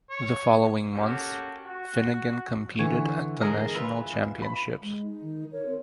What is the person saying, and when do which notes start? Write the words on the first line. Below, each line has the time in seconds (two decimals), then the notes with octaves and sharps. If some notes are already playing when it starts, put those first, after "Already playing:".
The following month Finnegan competed at the National Championships.
0.11 C#5
0.94 A#3 C#4 F#4 G4 A4
1.64 F#4
2.79 D3 E3 C#5
3.41 G#3 A#4 D#5
3.75 F4 B4 E5
4.42 B5
4.81 G#3
5.02 D#4
5.21 D#3
5.52 A#4 C#5
5.66 C4